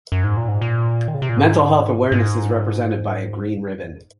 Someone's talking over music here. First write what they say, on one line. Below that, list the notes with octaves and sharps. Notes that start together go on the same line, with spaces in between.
Mental Health Awareness is represented by a green ribbon.
F#2
G#2
A#2
G#2
A#2
D#3
C#3
C3
A#2
G#2
G#2